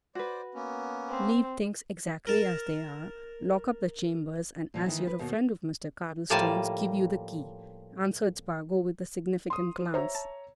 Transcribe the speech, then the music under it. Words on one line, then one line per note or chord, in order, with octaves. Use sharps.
"Leave things exactly as they are, lock up the chambers, and as you're a friend of Mr. Cardlestone's give you the key," answered Spargo, with a significant glance.
F#4 B4 C5 D5
A#3 B3 C#4
C4
A#4 A5
A#2 F3
D#3 E3
B4
D#2 B2
A2 F3 G3 A#3 G#5 A5
C6 D#6
F#4 C5 C#5 E5 A#5
A5